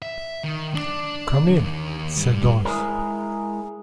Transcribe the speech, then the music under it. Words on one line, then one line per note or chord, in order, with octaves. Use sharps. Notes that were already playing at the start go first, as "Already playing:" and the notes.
"Come in," said Oz.
E5
D#3
D4
D#2
G2
G#3 E4 G#4 A#4